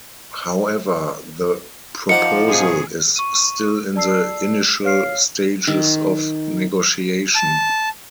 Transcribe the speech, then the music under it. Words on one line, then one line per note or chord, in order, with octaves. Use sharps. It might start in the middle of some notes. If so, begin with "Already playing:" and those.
However, the proposal is still in the initial stages of negotiation.
F3 D#4 F#5 D6 C#7
A2 C3 G#4
C#6 D#7
D5 A5 E6 C7
C#5 F5 F6 C7
D#3
A5